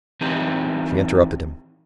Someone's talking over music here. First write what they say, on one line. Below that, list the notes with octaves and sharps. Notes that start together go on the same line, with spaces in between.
She interrupted him.
E3 C4 D#4 G4 A#4